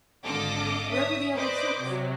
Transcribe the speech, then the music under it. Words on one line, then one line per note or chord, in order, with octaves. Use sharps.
Where were the other six?
G#1 D3 A4 D#5 F5 D6
C#5 E5 D#6
B4 C5 D5 D#5 D6
C3 F#3